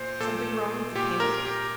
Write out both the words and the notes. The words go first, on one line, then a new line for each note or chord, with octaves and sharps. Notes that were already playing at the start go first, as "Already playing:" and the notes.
"Something wrong at the camp?"
Already playing: A#2 C5
A#2 A4
A#2 G4
A#4
G4